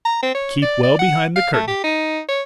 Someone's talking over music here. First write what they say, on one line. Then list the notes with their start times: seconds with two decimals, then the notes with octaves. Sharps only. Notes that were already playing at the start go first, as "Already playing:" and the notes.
Keep well behind the curtains.
0.05 A#5
0.22 C4
0.35 C#5
0.62 D5
0.83 D5
0.99 F#5
1.36 F5
1.53 A3
1.68 G4
1.83 D#4
2.28 C#5